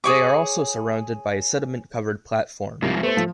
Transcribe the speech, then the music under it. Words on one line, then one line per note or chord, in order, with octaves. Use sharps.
They are also surrounded by a sediment-covered platform.
G#4 C#5 D6
C2 G#2 F3
A3 B3 C5
F3